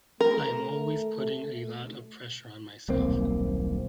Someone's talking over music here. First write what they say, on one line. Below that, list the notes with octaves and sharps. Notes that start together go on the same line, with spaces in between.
I'm always putting a lot of pressure on myself.
A3 A#4
D#1 B1 A#3 C4